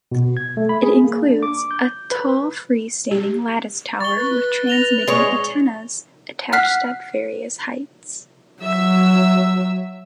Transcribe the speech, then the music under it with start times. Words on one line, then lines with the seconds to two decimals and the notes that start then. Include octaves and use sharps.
It includes a tall free-standing lattice tower with transmitting antennas attached at various heights.
0.12 B2
0.37 G#6
0.57 A3
0.69 B5
0.83 G#4
1.04 A#3
1.23 D4
1.43 D6
1.71 G6
2.12 B4
3.11 G4
4.00 C#6 A6 G7
4.17 B4
4.67 A#6 F7 G7
5.07 G#3 C#5
6.53 F#5 F6 F#6 B6 C7
8.63 F#3 E5 E6